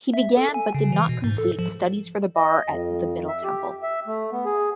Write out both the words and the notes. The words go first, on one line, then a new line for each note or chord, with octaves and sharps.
He began, but did not complete, studies for the Bar at the Middle Temple.
E5
A4
G#5
C#3
E3
B2
G#2
A4
F3
D#5
F2
E5
G4
E5
A3
B3
G#4